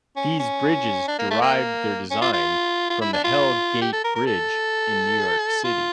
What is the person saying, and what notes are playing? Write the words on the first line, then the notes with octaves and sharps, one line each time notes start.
These bridges derived their design from the Hell Gate Bridge in New York City.
C#4
C#4
D4
A#3
A3
A#3
C#4
F4
F4
F4
E4
D4
F4
G4
A4
A#4
A#4
A4
F4